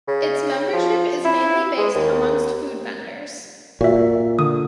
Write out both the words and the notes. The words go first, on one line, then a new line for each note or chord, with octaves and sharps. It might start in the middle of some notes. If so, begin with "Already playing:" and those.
Its membership is mainly based amongst food vendors.
C#3
F3
E4
G#3
D#2
A#2 F#4 E5
D3 D#6